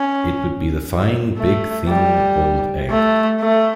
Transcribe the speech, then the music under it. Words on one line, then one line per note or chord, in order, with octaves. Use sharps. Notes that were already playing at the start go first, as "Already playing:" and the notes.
It would be the fine, big thing, old egg.
Already playing: C#4
A3
G3
A3
A3